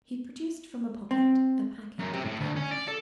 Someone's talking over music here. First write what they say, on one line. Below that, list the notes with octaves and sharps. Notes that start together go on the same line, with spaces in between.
He produced from a pocket a packet of papers.
C4
F#2
C3
A2
D2
C#4
D5
A4